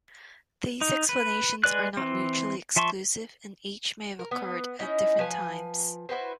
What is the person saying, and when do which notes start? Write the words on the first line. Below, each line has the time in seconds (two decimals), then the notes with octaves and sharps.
These explanations are not mutually exclusive and each may have occurred at different times.
0.81 D#4
1.09 B4
1.64 G#3 B4 D5 F#6
1.97 E3 C4
2.76 F3 E5 A5 C6 C#6
4.19 A#4
4.31 B3
4.79 C#4 D#4 E4 D#5
5.19 F3 B4 G#5
6.09 E4 F#4 B4 C5